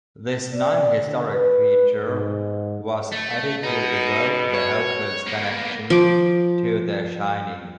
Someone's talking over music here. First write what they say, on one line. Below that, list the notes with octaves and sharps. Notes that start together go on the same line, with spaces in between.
This non-historic feature was added to evoke the hotel's connection to "The Shining".
D5
D3
B4
G#2
A3
B2 D#4
C#5
A#3 B3
F3 D6